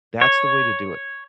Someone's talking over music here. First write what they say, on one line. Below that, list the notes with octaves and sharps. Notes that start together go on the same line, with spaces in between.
that's the way to do it.
C#5